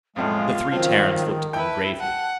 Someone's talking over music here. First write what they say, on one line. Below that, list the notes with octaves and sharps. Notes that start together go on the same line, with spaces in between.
The three Terrans looked at them gravely.
B1 F2 A2 G#3 F4 F5
D#3 F3 F#3 C4
E4 B4 G5 A5
F#5 A5